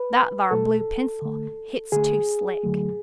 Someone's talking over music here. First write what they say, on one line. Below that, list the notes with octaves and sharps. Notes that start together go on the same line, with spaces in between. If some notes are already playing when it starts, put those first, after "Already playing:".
That thar blue pencil, hit's too slick.
Already playing: B4
B2 A3 A4
D3 A3
D3 A3 G#4
D3 F#3 A3